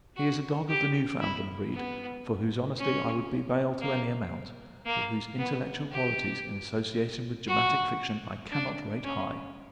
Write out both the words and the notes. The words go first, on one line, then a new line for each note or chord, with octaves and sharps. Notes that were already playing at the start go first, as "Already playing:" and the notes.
He is a dog of the Newfoundland breed, for whose honesty I would be bail to any amount; but whose intellectual qualities in association with dramatic fiction, I cannot rate high.
F#4
G4
E4
B3
C#4
A#3
A#3
B3
G4
F#4
D4
C#4